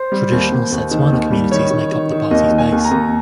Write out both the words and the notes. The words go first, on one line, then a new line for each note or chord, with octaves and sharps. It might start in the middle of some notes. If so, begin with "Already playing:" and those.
Traditional Setswana communities make up the party's base.
Already playing: C5
G3
D#2
D#2
D#2
D#3
D#2
G3
D#3 C#5
D#3
D#3
D#3
D#2 D#5
D#3
G#5
D#2
A#5
D#2